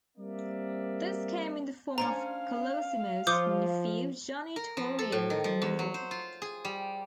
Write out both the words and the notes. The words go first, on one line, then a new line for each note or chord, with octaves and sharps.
This came in the form of Colosimo's nephew Johnny Torrio from New York.
G3 A#3 C4 A#4 D5 E5
C#4 D4 C5 F5 A#5
F3 F4 C5 C#5 D6 D#6 G6
A#4
F3
A4
A2
D#3
F3
E2
F#3
C5
F4
G#4
G3